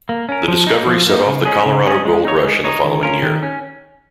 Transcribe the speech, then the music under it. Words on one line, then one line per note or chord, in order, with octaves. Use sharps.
The discovery set off the Colorado Gold Rush in the following year.
A#3
C#4 A#4
F3
A#3 D#4
F3
A#3 D#4
C#3
G#3 C#4 G#4
C#3
G#3 C#4 G#4
G#3
D#4 C#5
G#3
D#4 C#5
D#3
C#4 F4 A#4
D#3
C#4